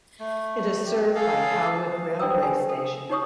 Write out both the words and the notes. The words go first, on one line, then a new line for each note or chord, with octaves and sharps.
It is served by Howwood railway station.
A3
G4
G#4 A4 F5
D4 C5 G5 D#6 E6
G4 G#5
A4
D#4 G4 C#5 C#6 D#6